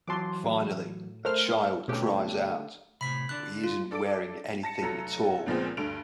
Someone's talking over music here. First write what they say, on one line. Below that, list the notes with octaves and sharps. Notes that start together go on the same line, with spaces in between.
Finally, a child cries out, But he isn't wearing anything at all!
E3 F#3 A5 C6 D6
A2
A3 A#4 C5 F6
B2 D3 A3 C#4 G4
A2 C3 B5 B6
D3 D4 F#6
F4
D4 A4 D6 A6 D7
A5 A#6 C#7
F1 F#3 A4 A#5 C#7
C#2 A#2 F3 G#3 B3 C4
D2 G2 A4 D7 F7